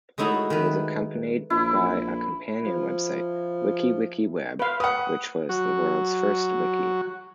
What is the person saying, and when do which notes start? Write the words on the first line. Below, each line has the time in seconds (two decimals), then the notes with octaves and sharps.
It was accompanied by a companion website, WikiWikiWeb, which was the world's first wiki.
0.18 G#3 A3 D#4 E4 F#4 A4
0.50 D#3 B4
1.50 A#1 E4
2.66 F3
4.59 B4 F5
4.80 B4 F#5 D#6
5.49 F#3 F#4